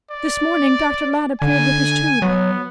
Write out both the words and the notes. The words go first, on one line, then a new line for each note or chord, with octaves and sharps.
This morning Dr. Ladd appeared with his tube.
D5
D3 G#5
F#3 B3